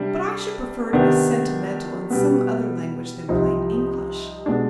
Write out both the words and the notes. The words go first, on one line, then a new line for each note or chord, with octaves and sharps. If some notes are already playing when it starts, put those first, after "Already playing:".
But I should prefer to be sentimental in some other language than plain English.
Already playing: C3 G3 D4
C3 D#3 B3 D4
B2 G3 B3
C2 C3 F3 C4 D#4
B2 G#3 D4